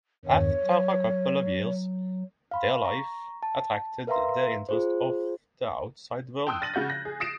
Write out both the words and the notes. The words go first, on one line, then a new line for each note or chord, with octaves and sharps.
After a couple of years, their life attracted the interest of the outside world.
E2 G2 D#3 C#5
F#3
F5 B5 C6
A#5 C#6
A5
A#4 B4 E5 F5 A#5 C6
F4 G#4 C5
G5 A5 C6 D#6 E6 F#6
F6 A6 A#6 D#7 F#7
C#3 F#4 G6 A#6
F#6 A#6
G#4
D#6 A6 A#6 C7 D7 E7